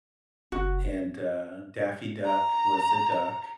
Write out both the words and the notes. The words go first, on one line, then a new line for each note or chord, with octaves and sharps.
and, uh, Daffy Duck was the duck.
F#1 F#4
A#5